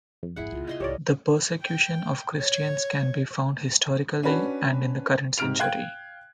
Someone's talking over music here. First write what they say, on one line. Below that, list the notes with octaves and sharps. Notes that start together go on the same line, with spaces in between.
The Persecution of Christians can be found historically and in the current century.
F2
D1 G#1 E4 G#4 F#5
C#2 A#2 F4
C2 E4 D#5 C6
C2 G#2 G4 A4 A#4 C#5 D5
G5
C#5
C#4 D4 F#4 B4
G#2 C3 F6 D7 F7
F5 G5 F#6 G#6